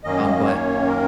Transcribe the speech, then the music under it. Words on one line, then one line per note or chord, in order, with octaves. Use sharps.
um, but
F#2 D#3 A#3 C#4 D#5
C#5
A#4